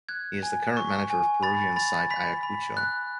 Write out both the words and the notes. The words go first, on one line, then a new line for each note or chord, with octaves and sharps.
He is the current manager of Peruvian side Ayacucho.
F#6 G#6
G#5
C#6
G#5
B5 A6
B5 A6
B5 B6
B5
F#6